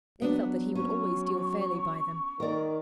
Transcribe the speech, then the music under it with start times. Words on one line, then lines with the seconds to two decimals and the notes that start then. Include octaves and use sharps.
They felt that he would always deal fairly by them.
0.22 F#3 B3 D4
0.75 C#4 C#6
2.40 D#3 A#4 D5